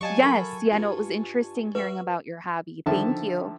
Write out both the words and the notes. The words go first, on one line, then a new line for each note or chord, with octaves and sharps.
Yes, yeah no, it was interesting hearing about your hobby, thank you.
F#3 G4 D5 D#5 F5 G#5 A5 C#6
A4 A#4 B5
G2 F4
F#4 B4 E5
D3 D#3 F3 E5 A5